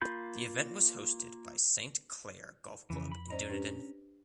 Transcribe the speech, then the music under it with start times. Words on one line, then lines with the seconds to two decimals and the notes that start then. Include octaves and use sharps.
The event was hosted by St Clair Golf Club in Dunedin.
0.01 A#3 F4 B5 G6
2.90 F2 C#3 E3
3.12 B5
3.30 C#4 C5 D5 D#5 A#5
3.49 D4 G4 B4